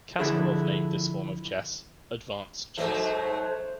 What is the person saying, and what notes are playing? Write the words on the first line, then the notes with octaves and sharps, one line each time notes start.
Kasparov named this form of chess "Advanced Chess".
D3 F3 D4 E4 G#4 A4
G#2 F#3 A3 C5